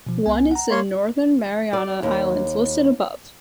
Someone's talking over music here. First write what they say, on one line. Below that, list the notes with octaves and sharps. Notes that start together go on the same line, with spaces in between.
One is the Northern Mariana Islands listed above.
B2 F3
C2 B3 G#5
F#5 A#5
A#3 C#5 C6
D5
D#2